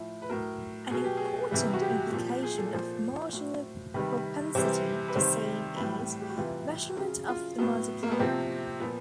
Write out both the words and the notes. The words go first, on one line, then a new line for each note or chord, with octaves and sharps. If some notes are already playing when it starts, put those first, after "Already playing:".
An important implication of marginal propensity to save is measurement of the multiplier.
Already playing: A2 F3 E4
B4
A2 F#3 A#4
B2 F#3 G#4
G4
G#4
C3 E3 G3
F#4
G4
A#2 F3
G#4
A4
A#2 F3 C5
A2 F#3
C3 D#3 G3 B4
C3 E3 G3 C5
B4
C3 D#3 G3 C5
A2 E3 G3 B4
G4
F#4
C3 E3 G3 F4
C#3 F#3
F4
A2 F#3 B3
A#3
B3
C3 F3 C4
A#2 F3 B3